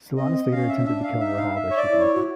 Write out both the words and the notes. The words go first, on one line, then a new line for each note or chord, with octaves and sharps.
Solanas later attempted to kill Warhol by shooting him.
C4 D#5
D#5
C#4 F5
E5
C#4
D4 E5
F5
D#4 E5
F5
E5
C#5
D5
E4
C#5
F#4